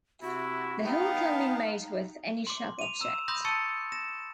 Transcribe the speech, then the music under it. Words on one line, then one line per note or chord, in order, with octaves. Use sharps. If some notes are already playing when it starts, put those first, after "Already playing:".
The hole can be made with any sharp object.
C3 E4 F#4
B3 D#4 F5 G5 A5 A#5
C6 D6
D#7 F7
A#5 E6 E7
B5 C6 D#6 G6 A#6
A5 C#6 E6 A6 C#7 D#7
A#6 E7